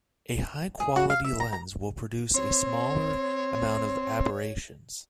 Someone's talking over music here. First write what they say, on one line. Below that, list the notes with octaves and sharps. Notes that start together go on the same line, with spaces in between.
A high quality lens will produce a smaller amount of aberrations.
G#4
F#4
F5
E5
A#5
A#5
C4 C#5